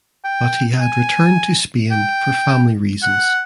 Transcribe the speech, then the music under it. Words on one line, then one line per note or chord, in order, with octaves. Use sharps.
But he had returned to Spain for family reasons.
G5
G#5
G5
F#5